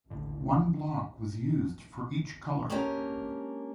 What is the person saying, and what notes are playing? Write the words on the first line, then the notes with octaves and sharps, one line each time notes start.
One block was used for each colour.
A1 D#2 A2 D3
G#3 A#3 C#4 D4 G4 A#4